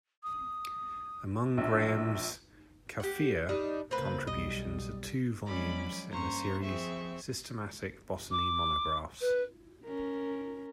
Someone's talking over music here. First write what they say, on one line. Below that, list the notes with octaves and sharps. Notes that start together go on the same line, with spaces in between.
Among Graham's "Cuphea" contributions are two volumes in the series "Systematic Botany Monographs".
D#6
A#1 E6
G4 F#5
G3 D4 D#4
C#3 A#3 C4 B4
B1 G3 D#5
F3 F#3 G#3 C#4 D5 B5
G2 A#3 C#4 C5 A#5 C#6
F2 C4 G#4 E5 C#6
D6
B4
C#4 A#4